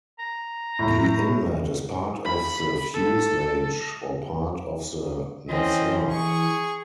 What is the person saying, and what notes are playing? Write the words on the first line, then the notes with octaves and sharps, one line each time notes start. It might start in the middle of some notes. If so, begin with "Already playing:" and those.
The inlet is part of the fuselage or part of the nacelle.
A#5
A2
B5
A4
E3 C4 C#4 D#5
G#4 C#6